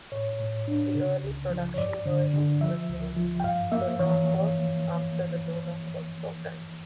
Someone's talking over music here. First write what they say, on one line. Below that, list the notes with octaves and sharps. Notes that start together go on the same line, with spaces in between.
The early production version was named "Lunokhod" after the Lunokhod programme.
A2 C#5
A2
D4
C#3
C#2
F3
C#5
G2 D5
D3
D3
F3 E5
C#2
F3
G5
G2 F5
A#3 E5
E3 C#5